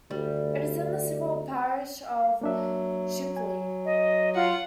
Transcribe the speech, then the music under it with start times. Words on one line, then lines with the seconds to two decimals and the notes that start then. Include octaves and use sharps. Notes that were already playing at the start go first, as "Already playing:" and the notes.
It is in the civil parish of Shipley.
0.11 D2 G3
2.41 F#3 A#3 D4 E5
3.36 G#5
3.85 D#5
4.35 F4 F#5